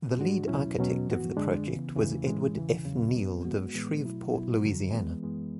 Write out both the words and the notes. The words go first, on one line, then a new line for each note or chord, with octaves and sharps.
The lead architect of the project was Edward F. Neild of Shreveport, Louisiana.
G#2 G#3 D4 F#4
E2 B2 F#3 C#4 E4
E2 B2 F#3 C#4
G#2 E3 B3 F#4
F#2 D3 G#3 D4
C#3 E3 B3
E2 C#3 E3 A3
A2 E3 G#3 C#4
E2 C#3 E3
E2 C#3 F#3
A2 F#3 B3
G#2 G#3 B3 F#4
A2 E3 G#3 B3
B2 F#3 A3 E4
B2 F#3 B3 E4
F#2 D3 F#3
E3 G#3 B3
F#2 E3 G#3 B3